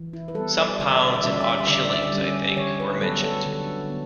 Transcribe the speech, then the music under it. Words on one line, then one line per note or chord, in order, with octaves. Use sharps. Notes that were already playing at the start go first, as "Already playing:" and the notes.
Some pounds, and odd shillings, I think, were mentioned.
Already playing: E3
E4
B4
G3 B3 A4
D5
D3 D5
E5
D5
E5
D5
G3 C#4 E5
D5
E5
D5
E5
D3 D5
E5
D5
E5
D5
G3 C#4
D3 C#5
B4
F#3 B3 A4
A4
D3
B3